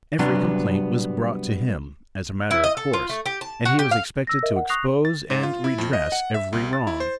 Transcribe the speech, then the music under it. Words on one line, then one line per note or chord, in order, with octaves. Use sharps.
Every complaint was brought to him, as a matter of course; and he was expected to expose and redress every wrong.
C3 F#3 G3 B3 D4
E4
D#5
A4
F4
A3
G4
A5
F#4
G4
F5
E6 A#6
A#4 D#5 E5
F#5
C#6 D#6 F#6 A#6 C7 F7
A6
G#2
F4
E4
F2
D#5
F#5
E5
C2
A6
E4
C5